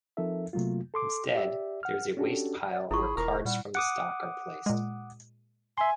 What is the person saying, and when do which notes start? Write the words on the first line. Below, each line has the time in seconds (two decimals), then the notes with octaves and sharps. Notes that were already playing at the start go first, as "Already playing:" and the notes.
Instead, there is a wastepile where cards from the stock are placed.
0.17 F3 C4 D#4 A4 A#4 E5
0.53 C3 F#3 A3 A#3 F4
0.94 A4 C6 D6
1.35 G4 D5 E5
1.83 F#5 F6
2.17 C#4 D4 F#4 G4 A4
2.70 D5
2.91 G#1 E4 F4 G#4 B5 C#6
3.17 E1 A#4 A#5
3.45 A#2 G3 F#5
3.75 F#5 D6 D#6
4.66 A#2 G#3
5.78 E5 G#5 C6